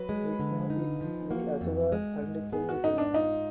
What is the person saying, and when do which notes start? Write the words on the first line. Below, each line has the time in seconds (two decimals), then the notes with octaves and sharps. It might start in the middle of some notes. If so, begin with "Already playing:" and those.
Vishnu hit the asura and killed him.
Already playing: F#3 B4
0.09 G#3
0.39 D3
0.70 D#4
1.01 F3
1.30 A#3 F#4
1.61 F2
1.92 G#3
2.22 G#2
2.52 B3 G#4
2.69 F#4
2.84 G#2 D#4
2.98 D4
3.14 D#4 F4